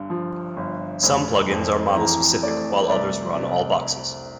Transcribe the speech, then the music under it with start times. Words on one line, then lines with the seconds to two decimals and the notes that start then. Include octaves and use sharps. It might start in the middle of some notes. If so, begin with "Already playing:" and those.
Some plugins are model specific, while others run all boxes.
Already playing: G1 G2
0.10 F3
0.56 G1
1.03 F1
1.50 F2
1.96 E3 A#5
2.42 A3 D5
2.89 C2 D5
3.35 C3 D5